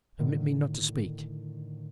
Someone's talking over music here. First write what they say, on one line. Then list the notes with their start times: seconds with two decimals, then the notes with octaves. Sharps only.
Permit me not to speak.
0.19 A2 D3 D#3